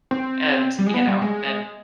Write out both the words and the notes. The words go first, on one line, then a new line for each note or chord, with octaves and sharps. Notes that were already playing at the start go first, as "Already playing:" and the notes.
and, you know, then
C4
G3
G#3
B3
G3
G#3